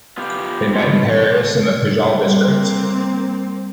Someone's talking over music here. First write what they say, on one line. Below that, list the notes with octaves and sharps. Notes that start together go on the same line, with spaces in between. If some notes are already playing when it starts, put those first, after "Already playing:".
They meet in Paris, in the Pigalle district.
B3 F4 G4
D3 E3 F3 A3 C4
B2
G3 A#3 C4